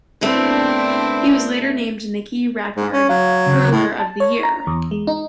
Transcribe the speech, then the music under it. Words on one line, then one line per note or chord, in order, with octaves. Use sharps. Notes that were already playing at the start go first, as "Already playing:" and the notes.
He was later named Nicky Rackard Hurler of the Year.
D#2 B2 A3 C4 D4 E4
G#2
C#4
F#3 F5
D#2 C#3
A2
A5
C#5
A#5
E2
G#3
D#4